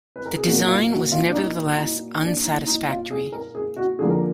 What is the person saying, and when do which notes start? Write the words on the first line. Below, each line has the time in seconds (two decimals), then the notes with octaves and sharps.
The design was nevertheless unsatisfactory.
0.16 B4
0.26 A#4
0.36 G#4
0.46 A#2 F#3 A#3 F#4
0.57 F#4
0.68 F4
0.90 F#4
1.12 F4
1.29 D4
1.35 D#4
1.78 D#4
2.22 D4
2.44 D#4
2.67 D#4
2.89 F4
3.11 G#4
3.32 A#4
3.55 G#4
3.77 F#4
3.99 D3 F3 A#3 G#4
4.10 A#4